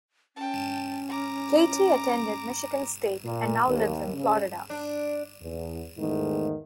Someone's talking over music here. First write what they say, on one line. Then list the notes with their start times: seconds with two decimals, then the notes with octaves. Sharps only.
Katie attended Michigan State and now lives in Florida.
0.36 C#4 G5 A5
1.09 A#5 D6
3.25 A#2
3.67 D#2
4.14 C#3
4.70 D4
5.40 E2
5.97 E2 G#2 D#3 E3 A3